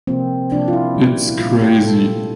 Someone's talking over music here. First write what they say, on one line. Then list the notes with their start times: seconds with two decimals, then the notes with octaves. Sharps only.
It’s crazy.
0.07 C3 F3 A#3 C4
0.52 C3 F3 A#3 D4
0.68 F4
0.73 E4
0.95 A#2 G3 A#3
1.28 E4
1.39 A#2 G3 A#3 F4
1.56 F4
1.61 G4
1.82 A#2 G3 A#3 A4